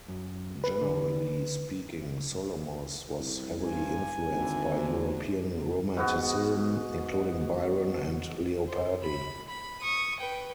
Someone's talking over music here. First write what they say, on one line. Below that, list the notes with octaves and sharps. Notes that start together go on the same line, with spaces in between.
Generally speaking, Solomos was heavily influenced by European romanticism, including Byron and Leopardi.
F#2
B4
D3
C2
G2 G#5
G#1 D2
D#2
G#2 B3 F#4
C5
B5
B5
C#6 D#6
B4 G5